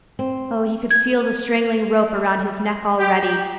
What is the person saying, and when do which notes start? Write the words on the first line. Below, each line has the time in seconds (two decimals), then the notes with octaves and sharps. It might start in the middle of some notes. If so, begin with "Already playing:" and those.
Oh, he could feel the strangling rope around his neck already!
0.19 C4
0.91 G#6
2.98 G4